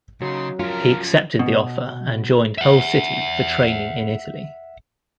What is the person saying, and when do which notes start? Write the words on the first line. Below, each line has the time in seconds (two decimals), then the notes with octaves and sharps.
He accepted the offer and joined Hull City for training in Italy.
0.21 C#3 F#3 A#3 D#4 C6
0.59 F3 C#4 F4 A#4
1.39 B2
2.58 E5 F#5